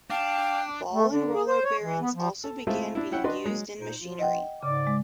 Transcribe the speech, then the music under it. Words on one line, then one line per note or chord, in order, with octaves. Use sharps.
Ball and roller bearings also began being used in machinery.
D4 F5 G5
A3
D3
G#4
C5
C#5
E3
B3
F3
A4
G#3 A3 C4 E4 F4 E5
D4 E4
C#4 E4 F#5 G5
D4 F#4 B4 D#5 C6
F#3 G#3
A#2 D#4 C5
F3 F4
D#5 F#5 G5
G#2 C#3 D5 D6
G#3